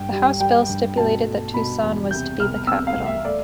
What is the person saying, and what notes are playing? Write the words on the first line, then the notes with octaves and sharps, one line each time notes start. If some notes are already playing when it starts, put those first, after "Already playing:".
The house bill stipulated that Tucson was to be the capital.
Already playing: G2 G5
G3
G3 G5
G2
B2 A5
A3
B2 B5
E2
C3 G6
C2 F6
C4 E6
F5
C2
E5
A3 D5